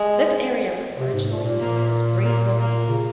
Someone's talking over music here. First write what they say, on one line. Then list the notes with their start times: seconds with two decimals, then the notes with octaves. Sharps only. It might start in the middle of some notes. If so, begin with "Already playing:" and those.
This area was originally known as Brayville North.
Already playing: G#3
0.98 C3
1.13 G#2
1.30 A#2
1.45 A#2
1.61 A#3
2.24 A#3
2.57 A#3
2.88 C#3